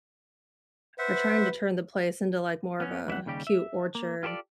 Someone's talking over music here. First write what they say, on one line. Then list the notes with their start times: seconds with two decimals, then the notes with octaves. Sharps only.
are trying to turn the place into like more of a cute orchard.
0.99 B4 C5 E5 F#5
2.80 B3 C#4
3.07 F2 E3 D4 E5 F#5
3.26 D#2 C#3 G3 G4
3.47 E5
3.95 A#3
4.23 F4 G4 A4 C5 D5